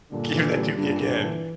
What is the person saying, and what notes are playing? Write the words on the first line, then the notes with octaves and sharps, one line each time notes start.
give that to me again.
G2 A#2 D3
E3
G3
G2 A#2 D3
G2
E3